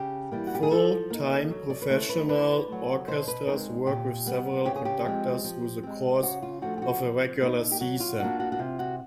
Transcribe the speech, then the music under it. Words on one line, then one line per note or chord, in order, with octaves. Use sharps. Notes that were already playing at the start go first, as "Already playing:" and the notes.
Full-time professional orchestras work with several conductors through the course of a regular season.
Already playing: C#3 G4
E3 G3 A#3
F#4
G4
G#4
F3 A4
A#3 D#4
F#3
D5
B4
A3 C#4 E4 C5
B4
D3 B4
F#3 A3
B2 C5
B4
G#3 C4 D#4 A#4
A#2 G4
G3 B3
C#3 G4
G#4
G4
F3 G#3 C4
F3
G#3 C4
C#3 F#4
F4
F3 A3 D4 F#4
G4
F#4
F3
A#3 D#4
G4
F#3 F#4
F4
A#3 D4 F4 F#4
F#4
F#4
C3 F4
F#4